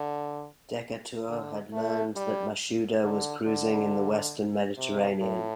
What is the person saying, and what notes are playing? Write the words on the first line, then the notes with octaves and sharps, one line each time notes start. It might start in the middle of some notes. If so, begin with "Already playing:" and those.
Decatur had learned that Mashuda was cruising in the western Mediterranean.
Already playing: D3
D3
A3
G3
D3
D3
C3
A2